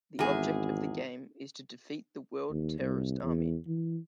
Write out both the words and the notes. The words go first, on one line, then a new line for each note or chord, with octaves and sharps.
The object of the game is to defeat the World Terrorist Army.
G#1 E2 G#4
D#2
C2
E2
E3